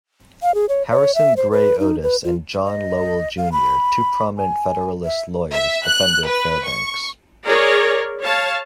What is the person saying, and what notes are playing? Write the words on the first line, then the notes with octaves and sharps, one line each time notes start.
Harrison Gray Otis and John Lowell, Junior two prominent Federalist lawyers, defended Fairbanks.
F5
G#4
C#5
C#5
E5
C5
B4
D#4
B4
F4
D#5
F5
B5
G#5
E5
E5
F#6
B4
C#6
G#4 A#4 C#5 D5
C#5 F5 A5